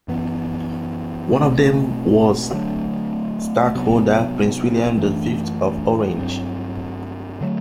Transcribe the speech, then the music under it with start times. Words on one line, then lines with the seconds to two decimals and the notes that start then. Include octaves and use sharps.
One of them was stadtholder-prince William the Fifth of Orange.
0.08 F#2 E3 B3
1.30 B2 A3 C4
2.52 D3 F#3 A3 D4
3.75 C3 F#3 B3
4.97 F#2 E3 A3 D4
6.19 G2 F#3 C4
7.41 D3 F#3 A3